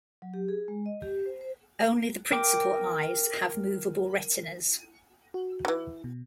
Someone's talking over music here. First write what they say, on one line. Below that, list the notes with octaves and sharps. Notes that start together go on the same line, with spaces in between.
Only the principal eyes have moveable retinas.
F#3
G4
G#4
G#3
D#5
G4
C5
C5
A#4 G5 D6
F#4
D3 E3
B2